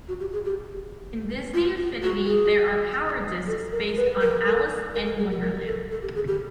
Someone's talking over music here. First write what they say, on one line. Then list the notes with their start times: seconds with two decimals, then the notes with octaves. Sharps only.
In "Disney Infinity" there are power discs based on Alice in Wonderland.
0.08 F#4
0.20 G4
0.33 G#4
0.45 G4
1.54 F4
2.03 F#4
2.27 G#4
3.47 A4
3.72 A#4
3.97 B4
4.21 A#4
4.46 A4
4.94 A#4
5.06 A#4
5.19 G#4
5.31 G4
5.42 A#4
5.66 A4
5.91 A4
6.02 G4
6.15 G#4
6.27 G4